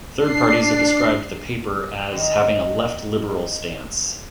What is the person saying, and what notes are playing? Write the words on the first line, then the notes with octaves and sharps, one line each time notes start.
Third parties have described the paper as having a left-liberal stance.
D4 C7
G2 D#3 F#3